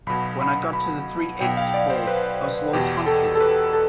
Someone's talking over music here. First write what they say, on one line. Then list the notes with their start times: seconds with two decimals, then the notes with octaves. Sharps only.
When I got to the three-eighths pole I was a little confident.
0.07 B1 B2 B5
0.41 B5
0.73 B5
1.40 B1 B2 G5
1.57 F5
1.74 D5
1.90 C5
2.07 B4
2.73 E2 B2 G4
3.06 A4
3.35 A4
3.40 B4
3.73 A4